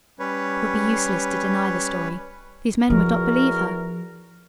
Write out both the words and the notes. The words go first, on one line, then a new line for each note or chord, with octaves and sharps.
It would be useless to deny the story; these men would not believe her.
G3 C#4 B4 C#5
E2 F3 F#4 A#4